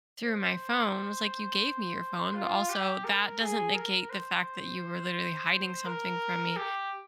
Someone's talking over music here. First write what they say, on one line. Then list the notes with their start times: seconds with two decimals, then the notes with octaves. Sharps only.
through my phone." I was, like, "You gave me your phone, but also that doesn't negate the fact that you were literally hiding something from me."
0.24 C5
2.34 F4
2.69 G4
3.05 A#4
3.40 G#4
3.74 A#4
4.10 C5
5.86 A#4
6.57 G4